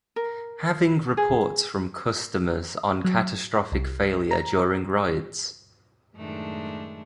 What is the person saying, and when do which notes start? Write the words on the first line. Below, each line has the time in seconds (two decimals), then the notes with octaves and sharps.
Having reports from customers on catastrophic failure during rides.
0.16 A#4
1.17 G#4
3.04 F#3
3.72 C2
4.31 A#5
6.14 F#2 A2 D#3 G#3 A3 D4